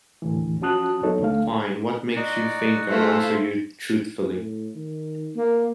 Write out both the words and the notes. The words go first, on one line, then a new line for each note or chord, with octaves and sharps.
Fine, what makes you think I'd answer you truthfully?
D#2 A2 D3 E3
F3 C#4 F#4 A5 D#6 F#6
D#2 F#3 B3 D#4 A4 C#5
D2 D3 A3 F5
D#4 F#4 D5
A3 E4 F4 A4 C5
A2
D#3
A#3